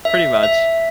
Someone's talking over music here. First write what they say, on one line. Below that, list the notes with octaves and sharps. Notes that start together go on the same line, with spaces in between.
Pretty much.
E5
E5